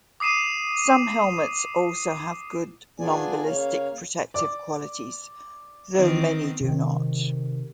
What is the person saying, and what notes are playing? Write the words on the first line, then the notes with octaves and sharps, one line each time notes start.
Some helmets also have good non-ballistic protective qualities, though many do not.
D6 D#6 C7 D#7 E7
B3 D4 F4 G#4 D5 G#5
C#3 A#3 C#5 F5
D5 D6
D#3 B3 C4
C3 D#3